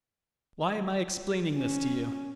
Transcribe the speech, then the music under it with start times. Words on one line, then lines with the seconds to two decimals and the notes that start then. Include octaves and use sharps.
Why am I explaining this to you?
1.56 C#4